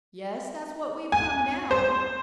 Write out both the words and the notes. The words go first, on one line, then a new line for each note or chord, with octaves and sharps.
"Yes; that's what we've come down."
G#5
C5